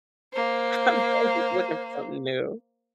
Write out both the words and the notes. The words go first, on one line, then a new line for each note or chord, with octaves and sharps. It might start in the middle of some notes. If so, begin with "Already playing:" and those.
I'm always looking for something new.
A#3 C5